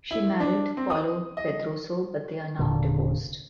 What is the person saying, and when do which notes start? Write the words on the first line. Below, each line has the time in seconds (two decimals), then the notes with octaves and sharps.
She married Paulo Pedroso but they are now divorced.
0.11 E4
0.40 D4
0.77 C4
0.90 D#6
1.37 D#5
2.59 E1 A#2 D3